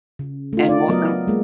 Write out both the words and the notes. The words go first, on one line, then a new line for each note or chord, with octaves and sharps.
And what no
C#3
A3 F4
D5
F#3 B3 A#4 D#5
G#3 A#3